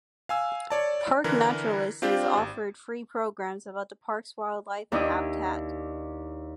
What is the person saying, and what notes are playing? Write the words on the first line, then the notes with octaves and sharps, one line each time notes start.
Park naturalists offered free programs about the park's wildlife and habitat.
F5 G#5 E6
C#5 D5 A5
D3 E3 A#4 B4
C4 D4 F4 G4 C5
G#1
D#2 D4 E4 D#5 G5 D6